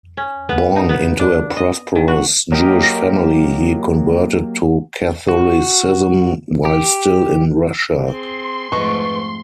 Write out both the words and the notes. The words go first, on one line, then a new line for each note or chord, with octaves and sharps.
Born into a prosperous Jewish family, he converted to Catholicism while still in Russia.
C#4
B3
D#4
B3
D4
D#5
D#3
F#4
F#3 A#3 G4 A#4 D#5
F#4
G4
C4 G#4 C6
F2 G#2 A3 B4 D#5 A5 C#6